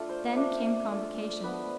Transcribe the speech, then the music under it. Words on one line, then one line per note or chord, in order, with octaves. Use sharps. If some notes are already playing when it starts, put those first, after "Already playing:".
Then came Convocation.
Already playing: A3 D4 F4 A4
C5
A3 D4 F4
A3 D4 F4
F3 B3 D4 B4